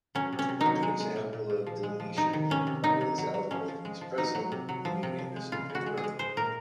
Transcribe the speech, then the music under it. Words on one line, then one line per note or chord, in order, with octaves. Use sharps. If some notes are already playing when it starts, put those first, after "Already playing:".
A good example of deletion by this algorithm is present in the Andersson paper.
F#3 C#4
C3
C#4
C3
D#4
F#3
G#3
G#3
A#2
A#2
A#2
F3
G#3
F3
C3 D#4
D#3
C3 C#4
C3
C3 D#4
C3
F#3
F#3
F3 C#4
F3
G#3
F3
F#3 D#4
F#3
C3
F#3
F3
C3
F3
G#3
C#3 F4
C#3
F#4
G#3
G#4
G#3
G#3 C5
A#2 A#4